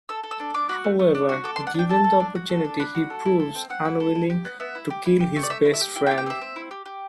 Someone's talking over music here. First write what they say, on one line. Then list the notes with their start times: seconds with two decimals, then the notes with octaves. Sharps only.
However, given the opportunity he proves unwilling to kill his best friend.
0.09 A4 E6
0.23 A4
0.31 E6
0.40 D4
0.54 D4 D6
0.69 F#4
0.84 A3
0.99 A3
1.15 D4
1.29 F#4
1.44 A4 D6
1.56 C6
1.60 D4
1.67 F#5
1.74 D4 G5
1.89 A4 A5
2.04 A4
2.20 D4
2.35 F#4
2.49 A4
2.64 D4
2.79 D4 B5
2.95 F#4
3.10 A4
3.25 E4
3.40 A4
3.55 C4
3.69 C4 F#5
3.85 E4
4.00 A4
4.15 E4
4.30 G4
4.45 B3
4.60 B3 E5
4.75 E4
4.90 G4
5.05 E4
5.20 G4
5.36 A3
5.43 D5
5.50 A3 E5
5.65 E4
5.73 E5
5.81 G4
5.95 E4 G5
6.07 G5
6.11 G4
6.18 G5
6.26 C4 E5
6.41 C4
6.56 E4
6.71 G4
6.86 G4